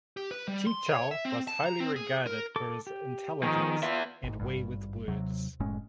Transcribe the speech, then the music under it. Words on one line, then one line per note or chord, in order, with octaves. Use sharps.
Chi Chao was highly regarded for his intelligence and way with words.
G4
B4
G3
C6
C#5
E5
C4
A5
A#5
C4
G#4
A#4
A4 D6
G4
D#3 F3 B3 G#4
B3 F4 E5
G#1 G#2
G#1 G2
D#2 C3 F#3
F#1 A2 G#3 C#4